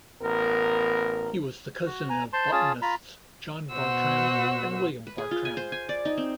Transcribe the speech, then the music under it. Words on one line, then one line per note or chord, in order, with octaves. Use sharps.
He was the cousin of botanists John Bartram and William Bartram.
A1 B3 A#4
F#4
G#5 A#5
C5 A5 C6
C#4 F4 G#4 A5
F4 A#5 B5
B2 F#4 C5 F#5 E6
B4
G#4
F4
G#5
C5
G#5
D5
D#4
C4